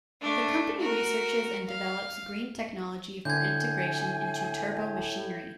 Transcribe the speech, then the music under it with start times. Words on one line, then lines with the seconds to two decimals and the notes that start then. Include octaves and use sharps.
The company researches and develops green technology for integration into turbomachinery.
0.21 A3 D4
0.80 F#4 A#4
1.68 F5
3.25 A2 D3 G#5 G6 G#6